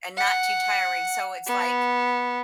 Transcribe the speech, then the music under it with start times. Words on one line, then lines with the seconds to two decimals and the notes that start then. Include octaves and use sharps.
and not too tiring. So It's, like,
0.17 F#5
1.46 B3